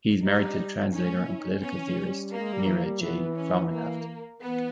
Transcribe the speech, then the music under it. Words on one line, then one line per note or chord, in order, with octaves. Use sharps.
He is married to the translator and political theorist Mera J. Flaumenhaft.
G3 D#4
C#4 D#4
G#3
A#3
E4
D#4
C#4
B3 C#4
E3
E3
G3
A#3
G#3
G3
E3
G3
E3 B3
C#4
A#3
E3 B3